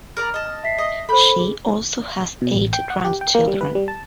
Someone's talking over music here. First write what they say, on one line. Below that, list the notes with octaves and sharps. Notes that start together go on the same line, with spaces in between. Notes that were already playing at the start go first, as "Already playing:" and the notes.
She also has eight grandchildren.
A#4 D5 A#5 F6
D#5 A5
E5 B6 C7
D#5
A4 C5 B5 G6
G#4
B2
A1
G5
F#5
G4
G5
A#3
G3
B4
G3
A5